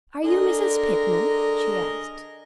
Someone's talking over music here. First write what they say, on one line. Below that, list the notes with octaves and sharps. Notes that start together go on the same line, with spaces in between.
"Are you Mrs. Pitman?" she asked.
D3 D4 G#4 A#4 D#5